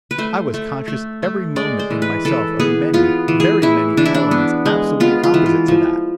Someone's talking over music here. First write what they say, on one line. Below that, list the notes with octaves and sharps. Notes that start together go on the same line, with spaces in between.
I was conscious every moment in myself of many, very many elements absolutely opposite to that.
B4
A3 C5
A3
A3
A3
G#3 D5
C5
E3
B4
E3 A4
B3 G#4
B3 F4
E3
G#4
E3 E4
E3 D4
E4
D4
B3
G#3
B3 F4
F4
E3
F4
F3